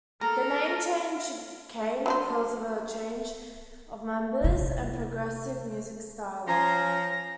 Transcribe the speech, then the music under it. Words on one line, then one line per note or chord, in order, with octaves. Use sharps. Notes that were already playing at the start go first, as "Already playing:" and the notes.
The name change came because of a change of members and progressive musical styling.
A4 A#4 A#5
F#3 D4 C5
C3 E4
F3 C#4 G#5 A#5 C6 A#6